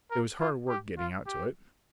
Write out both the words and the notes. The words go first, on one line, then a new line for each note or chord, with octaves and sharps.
It was hard work getting out to it!
A#4
F4
G4
F4
G4